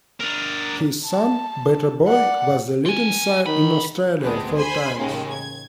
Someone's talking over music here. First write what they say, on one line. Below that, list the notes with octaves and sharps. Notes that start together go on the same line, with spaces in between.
His son, Better Boy, was the Leading sire in Australia four times.
D4 A#4
A5
D5 F#5
C4 G#5
C2 D#3 B5
D2 G#3 B3 C4 D4
C5 G#5 B5 C6
A1 D#2 C#3 G#3
G#6